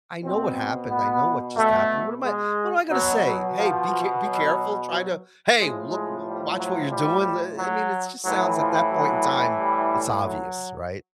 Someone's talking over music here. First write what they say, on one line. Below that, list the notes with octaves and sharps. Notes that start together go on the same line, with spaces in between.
I know what happened, I know what just happened, what am I what am I gonna say? "Hey. Be ca be careful. Try to Hey! Look, w watch what you're doing." Eh eh I mean, it just sounds, at that point in time it's obvious, right?
B2 C4
B3
A3
G#3
B2 F#3
F#3
F3
F#3
F#3
A2 F3 G#3
G#3
G3
F#3
G3
F#3
A2 E3 F#3
F3
F#3
G3
F#3